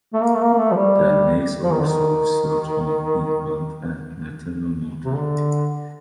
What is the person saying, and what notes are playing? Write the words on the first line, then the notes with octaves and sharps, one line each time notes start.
There Meigs oversaw research on infant and maternal mortality.
A3
A#3
A3
A#3
A#3
A3
F3
G3
F3
D#3
D3
D#3
C3
D3